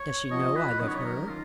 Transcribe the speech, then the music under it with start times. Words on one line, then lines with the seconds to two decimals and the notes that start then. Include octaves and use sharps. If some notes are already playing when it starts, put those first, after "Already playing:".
Does she know I love her?
Already playing: C#5
0.31 F3 B3 F4 D#5
0.56 B4
0.80 D#3 F#3 C#4 D#5
0.88 C#5
0.96 D#5
1.05 A#4
1.29 D#3 F4